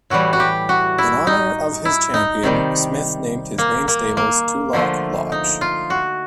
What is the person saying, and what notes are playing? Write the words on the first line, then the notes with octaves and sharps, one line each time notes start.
In honour of his champion, Smith named his main stables Tulloch Lodge.
A2 E3 G3 F#4
F#4
G4
F#4
E4
D#4
E4
D#4
C3 D#3 G3
A#3
A#3
A#3
D3 F3 A3
D#4
F4
F#4